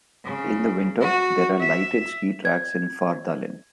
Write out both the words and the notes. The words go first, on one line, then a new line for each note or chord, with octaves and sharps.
In the winter there are lighted ski tracks in Fardalen.
C#3
F#4
E5
G#6